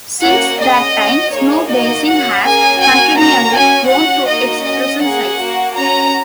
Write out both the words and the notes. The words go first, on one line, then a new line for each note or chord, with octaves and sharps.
Since that time, Snowbasin has continually grown to its present size.
A#3 C#4 F#4 F#5
C#4 G#4 D#5
C#4 F#4
A#3 D#4 G#4 C#5
A#3 D#4 F#4 D#5
C#4 F#4 F#5
A#3 C#4 G#4 G#5
A#3 F#4 G#5
A#3 C#4 F#4 A#5
C#4 F#4 G#5
C#4 F#4 F#5
A#3 D#4 F#4 D#5
C#4 F#4 D#5
A#3 C#4 G#4 F#5
A#3 F#4
C#4 F#4 A#5